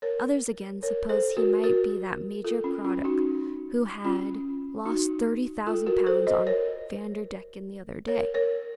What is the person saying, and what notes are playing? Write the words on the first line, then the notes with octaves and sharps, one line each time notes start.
Others, again, supposed he might be that Major Craddock who had lost thirty thousand pounds on Vanderdecken the other day.
A#4 C#5
A#4 C#5
A4 C5
F#4 A#4
F#4 A#4
F4 A4
C#4 F4
C#4 F4
D#4 F#4
C#4 F4
D#4 F#4
F4 A4
F#4 A#4
A4 C5
C5 D#5
A#4 C#5
A#4 C#5
A#4 C#5